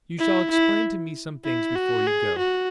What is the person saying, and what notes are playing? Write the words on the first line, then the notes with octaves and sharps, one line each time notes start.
"You shall explain to me some things before you go."
E4
E4
E4
F#4
G#4
F#4